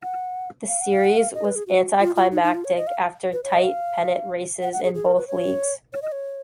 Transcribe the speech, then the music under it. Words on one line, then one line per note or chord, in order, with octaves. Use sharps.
The Series was anti-climactic after tight pennant races in both leagues.
F#5
F5
F#5
F5
F#5
F5
D#5
B4
G#4
F#4
F4
F4
D#4
D#4
F4
C#5
D#5
F5
B4
C#5
D#5
F5
F#5
F#5
G#4
G#4
A#4
B4
C#5
C#5
D#5
C#5